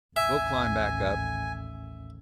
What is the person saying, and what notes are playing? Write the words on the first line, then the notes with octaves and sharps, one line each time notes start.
We'll climb back up.
A1 D#2 E5 G#5